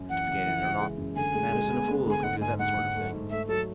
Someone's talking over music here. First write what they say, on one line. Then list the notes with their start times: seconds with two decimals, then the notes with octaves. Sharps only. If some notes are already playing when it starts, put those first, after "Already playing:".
Certificated or not, a man isn't a fool who can do that sort of thing.
Already playing: F#2
0.10 E3 F#5
0.27 C#3
0.45 E3
0.63 C#3
0.81 G#3
0.98 F#2
1.16 D3 G#5
1.34 G#3
1.52 G#3
1.70 B3
1.88 G#3
2.05 D3 G#5
2.23 G#2 F#5
2.41 G#2 G#5
2.59 G#2 F#5
2.77 G#2
2.95 A3
3.12 G#2
3.30 A3 E5
3.48 F#3 A4